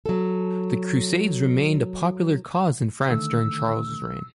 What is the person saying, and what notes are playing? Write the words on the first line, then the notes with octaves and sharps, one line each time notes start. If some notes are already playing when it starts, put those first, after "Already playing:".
The crusades remained a popular cause in France during Charles' reign.
F#3 A4
D3 D#3 A3 E6